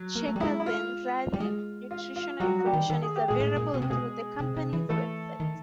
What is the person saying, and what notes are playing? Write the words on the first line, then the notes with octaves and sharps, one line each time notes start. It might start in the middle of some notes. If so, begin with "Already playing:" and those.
Checkers and Rally's nutritional information is available through the company website.
Already playing: F#3
A#3
A3
G3
G#3 E4
E4
F4
G3
G#3
F4
F4
F#3 G3 F#4
F#4
G3 G4
D#3
D#3 A4
G#4
G4
A#2 G#3 G#4
A2
A#2
B2
C3
B2 G#3 G#4
C3
C3
E3
E3 A3 A4
D#3